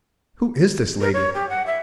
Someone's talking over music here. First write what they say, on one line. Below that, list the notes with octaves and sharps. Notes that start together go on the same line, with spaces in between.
Who is this lady?
A#4
C#5
G4
F#5
E5